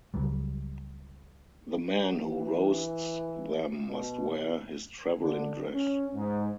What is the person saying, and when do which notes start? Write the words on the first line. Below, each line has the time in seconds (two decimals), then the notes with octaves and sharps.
The man who roasts them must wear his travelling dress.
0.14 C#2 F#3 G3
2.15 E3
3.88 B2
5.20 D3
5.74 C#4
6.14 G#2